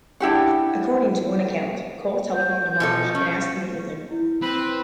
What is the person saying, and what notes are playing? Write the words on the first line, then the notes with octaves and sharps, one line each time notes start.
According to one account, Coll telephoned DeMange and asked to meet with him.
D4 E4 G4 F#5
G6
B2 F3 A4
C#4
E4
C4 B4